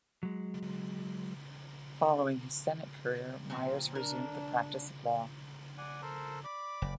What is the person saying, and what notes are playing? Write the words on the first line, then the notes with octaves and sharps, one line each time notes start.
Following his Senate career, Myers resumed the practice of law.
F#3 G#3
A#2 F3 C4
D4 A#4
D5 F#5 G#5
A4 A#4 C5
D5 B5 D6
F#1